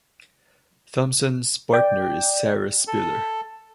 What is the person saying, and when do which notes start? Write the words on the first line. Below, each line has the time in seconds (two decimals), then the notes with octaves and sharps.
Thomson's partner is Sarah Spiller.
1.73 D5 G5
2.88 A4